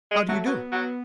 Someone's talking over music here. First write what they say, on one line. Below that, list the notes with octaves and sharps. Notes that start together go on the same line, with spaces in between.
"How do you do?"
G#3
F#3 A3
F#3 B3
F#3